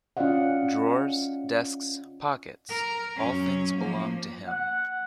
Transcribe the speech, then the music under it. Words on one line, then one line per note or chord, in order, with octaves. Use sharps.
Drawers, desks, pockets, all things belonging to him.
C#4 F4 D5 D#5 F5 F#5
A#4
F#2 C#4
F3 A#3
F#5